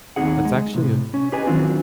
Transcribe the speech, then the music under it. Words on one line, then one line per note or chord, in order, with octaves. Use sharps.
that's actually a
D#2 G3 C4 D#4 G#4 F#5
G#3
A2 C3
C#4
G4 G#4 B4 D#5 G#5
D#3 E3 F#3 C4 D4 F4